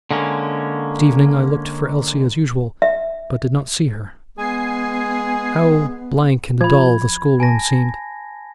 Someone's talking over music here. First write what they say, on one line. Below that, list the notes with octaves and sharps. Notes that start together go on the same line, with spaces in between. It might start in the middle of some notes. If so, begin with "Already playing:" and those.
The next evening, I looked for Elsie as usual, but did not see her. How blank and dull the schoolroom seemed!
D3 G#3 A#3 C#4
E5
G#3 B3 G#4 G#5 C7
F3 B5 G#6
G#5 A5 A#6